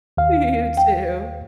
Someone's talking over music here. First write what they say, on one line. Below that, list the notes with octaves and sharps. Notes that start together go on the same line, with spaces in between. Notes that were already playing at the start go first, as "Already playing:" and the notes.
You too.
D#2 F5
G5